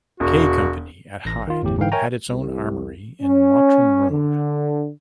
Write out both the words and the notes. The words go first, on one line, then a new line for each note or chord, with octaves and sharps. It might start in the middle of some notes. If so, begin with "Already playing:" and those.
K Company at Hyde had its own armoury in Mottram Road.
E1 F#4
A1 A#6
D#3 F4
G1 E2 A2 G4
G#2 D3 E3 F5 G5
A#4 C#5 E5 G5 G#5 A#5
C2
C#4
D3